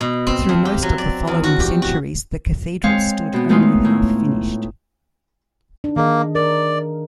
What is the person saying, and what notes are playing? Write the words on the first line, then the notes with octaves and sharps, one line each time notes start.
Through most of the following centuries, the cathedral stood only half-finished.
B2
C4
F2
G4
F#3
D5
E2
F#4
G4
F#4
G#3 C4 C#5 F5
B2 B3
D#3 G#3 A3 D#4 F4 B4
A2
D4 D#4
D#3 A#3 G#4 D#5
A#4 D5